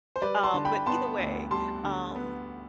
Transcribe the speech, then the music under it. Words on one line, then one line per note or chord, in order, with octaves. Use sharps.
Um, but either way, um
C5
G3 B4 D5
A5 C6
D3
G5 B5
B3 A5 C6
D2
G3 A5 C6
D3
B3